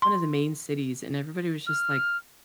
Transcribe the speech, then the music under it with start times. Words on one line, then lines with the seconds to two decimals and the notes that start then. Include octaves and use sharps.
one of the main cities, and everybody was just, like,
0.02 C6
1.67 F6